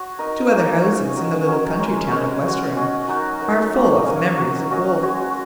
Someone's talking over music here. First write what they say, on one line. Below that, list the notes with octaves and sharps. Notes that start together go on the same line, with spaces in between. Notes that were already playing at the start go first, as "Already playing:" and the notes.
Two other houses in the little country town of Westerham are full of memories of Wolfe.
Already playing: F#4 C#5
D#4 A#4 D#5
A#3 D#4 G#4
C#4 F#4 D#5
C#4 F#4 A#4 D#5
F#3 C#4 A#4
G#3 C#4 A#4 C#5
G#3 C#4 A#4 C#5
G#3 C#4 F#4
C#4 F#4 D#5
F#3 D#4 F#4 A#4
D#4 A#4 C#5
F#3 A#3 C#4
A#3 C#4 G#4 C#5
F#3 C#4 F#4
C#4 F#4 D#5
G#3 F#4 C#5